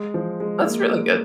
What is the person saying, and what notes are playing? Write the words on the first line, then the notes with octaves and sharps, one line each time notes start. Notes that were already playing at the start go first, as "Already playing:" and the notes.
That's really good.
Already playing: G#3
F3
G#3
A#3